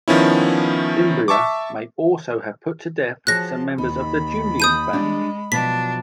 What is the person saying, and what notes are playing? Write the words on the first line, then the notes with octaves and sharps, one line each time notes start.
Fimbria may also have put to death some members of the Julian family.
D#3 F3 B3 C#4 E4
E5 A5 C#6 D6
F3 F#4 G#4 C#5 A5 F#6 A#6
D#2 D#4 B5
A5 D#6 G6 D#7
G3 G#3 D4
B2 F3 F#3 D4 B6